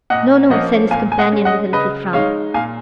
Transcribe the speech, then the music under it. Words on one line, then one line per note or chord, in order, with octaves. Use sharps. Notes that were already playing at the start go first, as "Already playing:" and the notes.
"No, no," said his companion, with a little frown.
A#2 D#5 F#5
F3 A#3 C#4 D#5 F#5
A#2 F5 G#5
G#5
D#5 F#5
G#3 C#4
D#5 F#5
C#3 B4 D#5
G#3 D#4 C#5 F5
A#2 F5 G#5